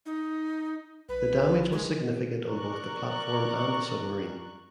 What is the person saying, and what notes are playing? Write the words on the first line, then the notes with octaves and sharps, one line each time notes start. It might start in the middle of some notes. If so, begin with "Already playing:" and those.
The damage was significant on both the platform and the submarine.
D#4
B1 B4
D1 G#3
A#4 D5 C#6 F#6